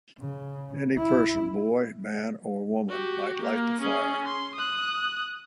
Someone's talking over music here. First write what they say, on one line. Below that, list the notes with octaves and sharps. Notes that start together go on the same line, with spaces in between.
Any person, boy, man, or woman, might light the fire.
C#3
E4
F#4 G4
A#3
C#4 G#4
C6
D#6 F#6